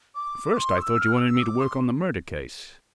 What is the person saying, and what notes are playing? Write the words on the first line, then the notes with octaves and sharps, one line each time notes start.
First I thought you wanted me to work on the murder case.
D6
C6
E6
F6
E6
E6
D6
C6